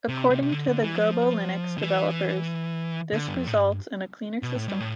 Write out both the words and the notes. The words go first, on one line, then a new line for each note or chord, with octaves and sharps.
According to the GoboLinux developers, this results in a cleaner system.
C3
C3
C3
D3
D3
E3
F3
D3
E3
D3
G2
F2
A2
G2
B2
A2
G2
A2